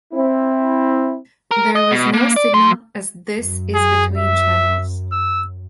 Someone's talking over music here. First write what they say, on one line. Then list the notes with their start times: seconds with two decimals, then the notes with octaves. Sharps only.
There was no signal, as this is between channels.
0.13 C4 E4
1.51 A#4
1.75 D#5
1.91 B2
2.14 A#3
2.36 D5
2.54 F#3 C6
3.36 F#2
3.74 G#4
4.18 E5
5.12 E6